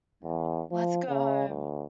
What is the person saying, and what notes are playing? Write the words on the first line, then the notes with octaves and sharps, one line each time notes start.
Let's go home.
E2
F3
C#3
D2